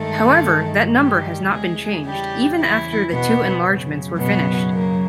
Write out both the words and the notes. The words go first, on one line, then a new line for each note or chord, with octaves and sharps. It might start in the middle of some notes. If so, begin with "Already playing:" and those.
However, that number has not been changed even after the two enlargements were finished.
Already playing: G2 D#3 G#3 A3 A4
G3 G4
E2 C#3 E3 G#3 G#4
G3 G4
E3 E4
B2 B3
F#2 C#3 F#3
B2 B3
A#3